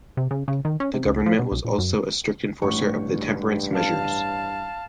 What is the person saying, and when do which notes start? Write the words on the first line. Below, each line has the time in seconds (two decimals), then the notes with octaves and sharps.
The government was also a strict enforcer of temperance measures.
0.17 C3
0.31 C#3
0.48 C#3
0.65 D#3
0.80 C#4
0.94 C3
1.06 C#2
1.26 F3
1.39 B2
1.51 B1
1.64 A#1
1.78 F#2
2.62 A1 G2 C#6
3.74 F5 A5